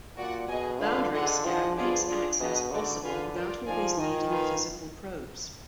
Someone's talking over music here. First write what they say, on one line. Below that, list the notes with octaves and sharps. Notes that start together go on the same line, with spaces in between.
Boundary scan makes access possible without always needing physical probes.
A#2 F#4 D5 F#5
B2 G#4 D#5 G#5
D3 D4 F4 B4 F5
D3 F4 G#4 D#5 F#5
F3 D4 G#4 D#5 F#5
F3 B3 D4 F4 G#4 D5
D4 F4 G#4 D5
B2 D4 G#4 B4 D#5
D3 D#4 F#4 D5
D3 F4 B4 F5 G#5
F4 A#4 D5
F3 D#4 G#4 D5 F5 G#5
D#3 F4 A#4 D#5 G#5
F4 B4 F5 G#5